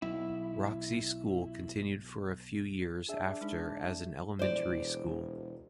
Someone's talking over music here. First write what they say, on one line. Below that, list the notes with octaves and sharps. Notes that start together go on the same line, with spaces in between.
Roxie School continued for a few years after as an elementary school.
B1 E4
D4 G#4 E5
G#3 D#4
E1 C5 D5